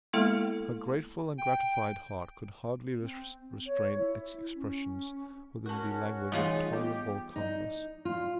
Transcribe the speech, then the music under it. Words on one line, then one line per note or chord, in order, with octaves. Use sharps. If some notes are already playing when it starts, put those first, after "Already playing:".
Her grateful and gratified heart could hardly restrain its expressions within the language of tolerable calmness.
G#3 A#3 B3 E4 A4
G5
C4
C#5
E4
C#4
C#4 F#4 A#4 A5
E3 G3 D#4 F4 G#4 C#5
B3 G4
D#4
F4